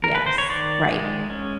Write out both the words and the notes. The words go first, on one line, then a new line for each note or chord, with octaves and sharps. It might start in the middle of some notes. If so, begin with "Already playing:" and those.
Yes. Right.
A#4
B4
C5
C#5
D#3 D5
G#3
C#4